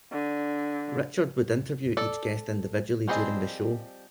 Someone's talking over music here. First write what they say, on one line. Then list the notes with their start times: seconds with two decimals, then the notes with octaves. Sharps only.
Richard would interview each guest individually during the show.
0.12 D3
1.97 A4 D5
3.08 F3 G3 C4 G#4 D#5